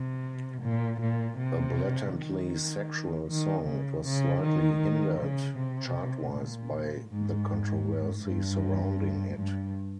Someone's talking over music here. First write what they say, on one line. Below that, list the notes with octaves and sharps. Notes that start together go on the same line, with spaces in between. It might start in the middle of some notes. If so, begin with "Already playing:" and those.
A blatantly sexual song, it was slightly hindered chart-wise by the controversy surrounding it.
Already playing: C3
A#2
A#2
C3
D#3
D#3
C#3
C#3
D#3
C#3
C3
A#2
G#2
G2
G2